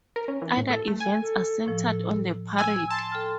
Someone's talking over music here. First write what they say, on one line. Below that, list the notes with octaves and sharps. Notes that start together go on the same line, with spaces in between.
Other events are centred on the parade.
A#4
C#4
E3
A2
A4
A3
G#5
A4
A2 F3
G#5 E6
A5 C6
A4 G5 F6